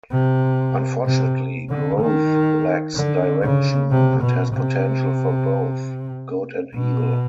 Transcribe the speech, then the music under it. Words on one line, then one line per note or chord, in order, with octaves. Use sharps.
Unfortunately, Growth lacks direction, and has potential for both good and evil.
C3
C3
D3
D#3
D3
C#3
C3
B2
C3
B2